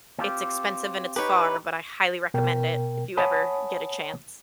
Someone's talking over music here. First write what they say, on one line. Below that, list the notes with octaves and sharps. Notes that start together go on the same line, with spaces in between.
it's expensive and it's far, but I highly recommend it if you ever get a chance.
C4 F4 G4
D#4 G4 B4 C#5
B2 A#4 G5
C#5 F#5 G#5 A5 B5 D#6